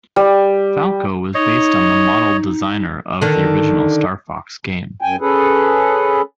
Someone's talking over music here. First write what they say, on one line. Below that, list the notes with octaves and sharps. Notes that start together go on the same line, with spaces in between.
Falco was based on the model designer of the original "Star Fox" game.
G3
D#4 C#5 D#5
D3 D#3
F#2 G5 G#5
C#4 G#4 A4 B4